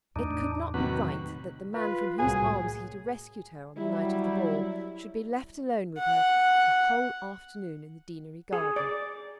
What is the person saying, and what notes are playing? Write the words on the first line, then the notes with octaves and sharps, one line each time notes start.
It could not be right that the man from whose arms he had rescued her on the night of the ball should be left alone with her a whole afternoon in the Deanery Garden!
E2 A2 A3 D4 D#4
C3 D#3 F#3 F#4 B4
F4 B4
C2 A2 F#3 A#3 G#4 G#5
F#3 G3 E4
F#5
G#4
D5